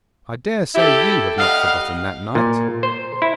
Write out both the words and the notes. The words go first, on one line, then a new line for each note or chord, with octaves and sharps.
I dare say you have not forgotten that night!
E4 G4 A4
G3 D#5 F5 F#5
A#2
C5
E4